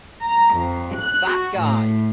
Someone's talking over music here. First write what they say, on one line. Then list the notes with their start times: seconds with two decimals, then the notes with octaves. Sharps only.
It's That Guy!
0.25 A#5
0.55 F2
0.98 F#6
1.31 F#4
1.61 A2